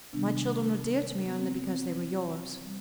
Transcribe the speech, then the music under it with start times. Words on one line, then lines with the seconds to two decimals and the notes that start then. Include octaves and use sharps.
My children were dear to me only because they were yours.
0.13 C3 D#3 G3 B3 D4
1.27 B3
1.38 C4
1.69 C4
2.64 G3